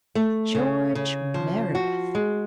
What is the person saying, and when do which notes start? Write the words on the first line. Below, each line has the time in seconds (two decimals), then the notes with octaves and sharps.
George Meredith?
0.15 A3
0.55 C#3
0.95 C#3
1.34 F3
1.75 F#4
2.15 G#3